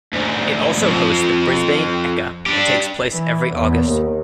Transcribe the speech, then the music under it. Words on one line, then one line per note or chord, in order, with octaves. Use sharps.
It also hosts the Brisbane Ekka that takes place every August.
D2 G#2
F2 F3
D4 G4
E3
E2
D#2